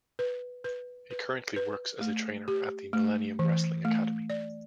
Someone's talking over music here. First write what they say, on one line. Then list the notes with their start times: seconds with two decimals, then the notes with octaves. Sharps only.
He currently works as a trainer at the Millenium Wrestling Academy.
0.19 B4
0.64 B4
1.11 B4
1.56 B4
2.01 A3
2.48 G4
2.93 A3
3.39 E3
3.85 A3
4.30 D5